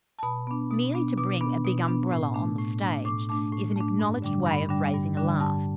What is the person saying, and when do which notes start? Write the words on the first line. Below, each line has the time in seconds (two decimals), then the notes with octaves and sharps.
Merely to bring a big Umbrella on the stage is an acknowledged way of raising a laugh.
0.19 A5
0.23 B2 B5
0.47 B3 D4
0.71 B2
0.94 B3 D4
1.18 B2 D6
1.41 B3 D4
1.65 B2
1.88 B3 D4
2.11 A2
2.34 A3 D4
2.58 A2
2.81 A3 D4
3.05 A2 D6
3.29 A3 D4 D6
3.53 A2
3.76 A3 D4
3.99 G2
4.22 D3 G3 D4
4.46 G2 B5
4.69 D3 G3 D4
4.93 G2
5.17 D3 G3 D4
5.40 G2 A5